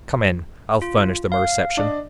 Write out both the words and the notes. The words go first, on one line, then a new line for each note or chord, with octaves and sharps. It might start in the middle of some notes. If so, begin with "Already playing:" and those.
Come in; I'll furnish them a reception.
F4
F5
D4 D5 D#5